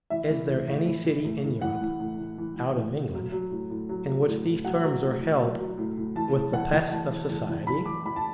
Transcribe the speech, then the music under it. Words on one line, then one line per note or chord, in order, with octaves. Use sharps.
Is there any city in Europe, out of England, in which these terms are held with the pests of Society?
E3 E5
E3
A2
A2
E3
E3
A2
A2
E3 F#5
E3
A2
A2
E3
E3
A2
A2
F#3
F#3
A2
A2
F#3
F#3
A2
A2
F#3 F#5
F#3
A2
A2
F#3
F#3
A2
A2
E3 A5
E3
E2 F#5
E2
E3 A5
E3
E2
E2
E3 B5
E3 D6
E2 B5
A5